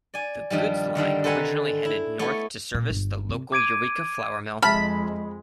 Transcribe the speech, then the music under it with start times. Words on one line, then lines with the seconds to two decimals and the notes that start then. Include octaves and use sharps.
The goods line originally headed north to service the local Eureka flour mill.
0.14 D5 G#5
0.50 G2 D#3 F3 G3
0.95 D3 D#3 G3 D4
1.24 A4 B4 C5 F#5 G#5 A#5
1.85 E4
2.19 A3 B3 C#5
2.75 A#2
2.90 G1
3.29 C3
3.52 D6 G#6 D7 D#7
4.62 F2 G#3 E5 A5 B5 F6